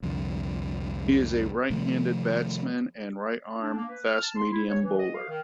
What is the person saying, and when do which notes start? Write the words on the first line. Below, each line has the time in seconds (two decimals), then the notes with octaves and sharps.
He is a right-handed batsman and right-arm fast-medium bowler.
0.03 C2 F2 D3
1.70 C3 D#3 F3 A3
3.62 D4
3.77 A#3
3.89 B4
4.05 F6
4.22 A5
4.36 C6
4.51 E4
4.68 C#5
4.82 E3
4.99 D#5
5.14 F5
5.29 D#3